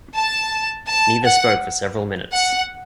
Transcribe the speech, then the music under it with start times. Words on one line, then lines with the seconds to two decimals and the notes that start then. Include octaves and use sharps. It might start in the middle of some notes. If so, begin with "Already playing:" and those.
Neither spoke for several minutes.
0.15 A5
0.88 A5
1.24 F#5
2.33 F#5